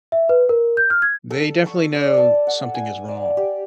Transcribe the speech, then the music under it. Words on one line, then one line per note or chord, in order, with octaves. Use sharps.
they definitely know something is wrong
E5
B4
A#4
G6
F6
G#6
A4
C#6
D5
A5
F#5
G#5
D5
G4